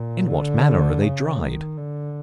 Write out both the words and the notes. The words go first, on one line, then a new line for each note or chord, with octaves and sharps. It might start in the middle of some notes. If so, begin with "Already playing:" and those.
In what manner are they dried?
Already playing: A#2
D3
C#3
D#3
D3